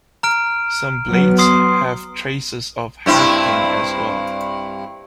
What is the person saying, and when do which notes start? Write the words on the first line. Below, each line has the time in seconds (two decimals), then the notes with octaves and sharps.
Some blades have traces of hafting as well.
0.23 A#5 F6 D7
1.08 F#3 B3
1.38 C6 D#6 C7
3.06 G2 C4 E4